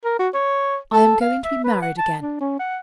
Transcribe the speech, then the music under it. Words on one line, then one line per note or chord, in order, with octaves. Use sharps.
I am going to be married again.
A#4
F#4
C#5
A4
F5
E5
B4
F#5
A5
D4
C#4
F#5